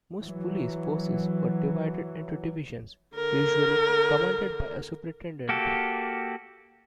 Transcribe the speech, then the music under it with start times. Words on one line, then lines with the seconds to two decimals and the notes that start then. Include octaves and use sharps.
Most police forces were divided into divisions, usually commanded by a Superintendent.
0.22 E3 F#3
3.15 D3 A#4
5.49 A#3 F#4 G4 A4